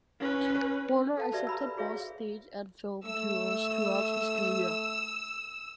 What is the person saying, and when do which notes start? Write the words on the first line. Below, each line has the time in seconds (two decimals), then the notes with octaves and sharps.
Werner accepted both stage and film roles throughout his career.
0.19 C#4 B4
1.17 A4 F5 A5
1.32 F#4 G4 B4 D5 E5
1.47 A#5 B5 E6
1.63 B4
1.77 F#4 G#4 C#5 E5 F5
3.06 A3 E6